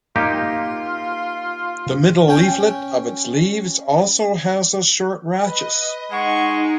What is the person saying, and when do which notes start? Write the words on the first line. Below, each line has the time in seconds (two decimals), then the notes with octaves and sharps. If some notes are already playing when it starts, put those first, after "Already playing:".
The middle leaflet of its leaves also has a short rachis.
0.16 A#3 D#4 F4 G4
2.28 C#4 G5 G#5
5.45 B4 D#5
6.11 G#3 D#4 F#5 C#6